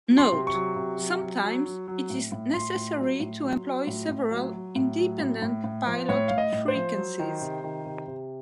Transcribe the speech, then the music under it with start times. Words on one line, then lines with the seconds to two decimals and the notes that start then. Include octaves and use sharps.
"Note:" Sometimes it is necessary to employ several independent pilot frequencies.
0.10 F#3
0.18 C6
0.32 C3
0.47 C#6
0.54 F#3
0.76 C3
0.99 F#3
1.21 F#3
1.44 F#3
1.65 F#3
1.88 F#3
2.10 A2
2.32 A2
2.54 A2 C6
2.76 A2
2.98 F#3
3.20 A2
3.43 F#3
3.64 F#3
3.87 A2
4.09 A2
4.31 F#3
4.53 F#3
4.76 A2
4.98 F#3
5.20 A2
5.42 A2
5.64 A2
5.87 F3
6.09 A2 C#5
6.28 A2 F5
6.38 D#5
6.53 A2
6.68 C5
6.75 F3
6.97 F#3
7.19 D#3
7.41 C3
7.64 D#3
7.86 C3
8.08 C3